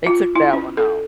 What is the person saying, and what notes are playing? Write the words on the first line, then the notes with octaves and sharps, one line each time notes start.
They took that one off.
F4
E4
C#4
A4